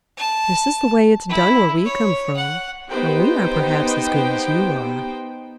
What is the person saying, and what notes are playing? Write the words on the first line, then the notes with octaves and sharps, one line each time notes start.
"This is the way it's done where we come from, and we are perhaps as good as you are."
A5
E4
C#5
F#5
B3 D#4 G4 C5 G5